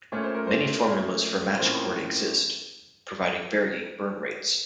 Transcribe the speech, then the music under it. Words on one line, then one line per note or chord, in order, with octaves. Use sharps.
Many formulas for match cord exist, providing varying burn rates.
A#2 A3 C#4 C#5
C5
A#4
C4 C5
A#2 A3 C#4
A2 F3 A#3 C4 C#4 C5